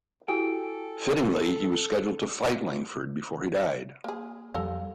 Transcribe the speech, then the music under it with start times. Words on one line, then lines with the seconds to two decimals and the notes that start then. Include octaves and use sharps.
Fittingly, he was scheduled to fight Langford before he died.
0.28 E4 F#4 G4 A4 G5 G#5
4.04 A#3 G#4
4.54 F2 G3 A4 A#4 F5